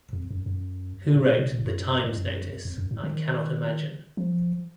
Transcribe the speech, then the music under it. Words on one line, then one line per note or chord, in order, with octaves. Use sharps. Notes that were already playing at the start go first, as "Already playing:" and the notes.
Who wrote "The Times" notice I cannot imagine.
F2
F#2
F#2
A2
A#2
C3
A#2
A2
F#2
A2
F#2
F2
F#2
A2
D#3
F3